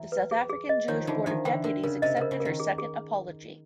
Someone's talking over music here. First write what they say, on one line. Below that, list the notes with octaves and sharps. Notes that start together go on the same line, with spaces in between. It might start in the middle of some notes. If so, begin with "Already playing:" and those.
The South African Jewish Board of Deputies accepted her second apology.
Already playing: E3 F#3
B4
G#4
G#4
D#5
D#3 F3 C#5
D3 E3 D#4
D#3 F3 D#4
D3 E3 G5
D3 A#4
C#3 A#4
C3 D#5
C#3 A#4
C#3
A#4
D#3
G#4
G#4